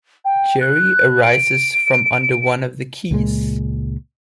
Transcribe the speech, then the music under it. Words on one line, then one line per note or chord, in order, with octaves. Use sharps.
Jerry arises from under one of the keys.
G5
F#6
D7
C#2 A#2 G#3